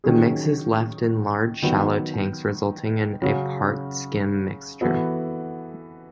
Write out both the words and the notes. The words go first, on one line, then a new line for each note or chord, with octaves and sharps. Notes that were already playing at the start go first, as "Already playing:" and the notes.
The mix is left in large shallow tanks resulting in a part skim mixture.
D#3 F#3 C#4 G#4
D#3 F#3 B3
C#3 F#3 C#4 F#4
E3 B3 F#4 A4